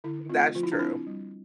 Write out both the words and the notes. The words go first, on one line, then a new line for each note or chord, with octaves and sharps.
that's true.
D3 E4
A3 C4 F4
F3 F4
E4
D4
C4 E4
G3